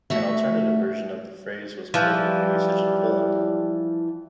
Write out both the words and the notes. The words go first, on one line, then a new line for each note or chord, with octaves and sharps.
An alternative version of the phrase was ported for usage in Poland.
A3 F#4 E5
E3 F3 G3